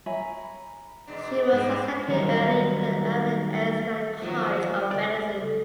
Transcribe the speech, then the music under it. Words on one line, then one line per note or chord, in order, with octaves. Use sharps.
She was accepted early to the Albert Einstein College of Medicine.
C#5 E5 G#5 A#5 B5
G#2 B2 D4
G#2 G3 G#3 A#3
D#3 F#3 G3 D4 D#4 A#4
D#3 F3 F#3 A#3
C#2 D5
A4